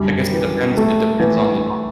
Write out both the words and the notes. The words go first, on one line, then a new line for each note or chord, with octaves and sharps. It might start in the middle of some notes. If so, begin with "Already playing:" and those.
I guess it depends it depends on the, uh
Already playing: F#2 D3 G3
E3
A3
E3